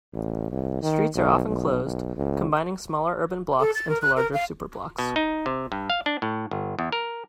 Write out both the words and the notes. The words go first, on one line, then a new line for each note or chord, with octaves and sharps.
Streets are often closed, combining smaller urban blocks into larger superblocks.
A1
C2
D#3
B1
B1
B1
C#2
A4
A6
A#4
F#6
A#4
F5
B2
D#4
C3
G2
F5
D4
A2
G1
E2
A#4